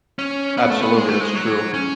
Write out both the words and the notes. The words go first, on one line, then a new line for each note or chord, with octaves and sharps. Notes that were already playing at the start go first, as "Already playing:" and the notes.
Absolutely, that's true.
C#4
B3
A3
B3
G#3
A3
G#3
F#3
C#4